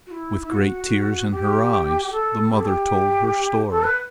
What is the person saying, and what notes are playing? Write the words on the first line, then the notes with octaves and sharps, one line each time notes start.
With great tears in her eyes the mother told her story.
F#4
E4
E4
F#4
G4
G4
A4
G4
A4
G4
A4
B4